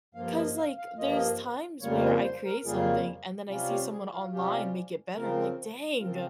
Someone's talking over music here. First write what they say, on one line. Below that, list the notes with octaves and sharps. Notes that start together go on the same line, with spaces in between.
'Cause, like, there's times where I create something, and then I see someone online make it better, I'm like, "Dang,
G2 F3 A#3 F4 F5
D#5
F5
F5
G2 F3 A#3 F4 D#5
F2 C#3 G3 A#3 F4 C#5
C5
C5
A#4
F2 C#3 G3 A#3 F4 G#4
C3 G3 C#4 F4
G4
G#4
F4
C3 G3 C#4 F4 G4
C#3 F3 C4 F4 A#4
C#3 F3 C4 F4 A#4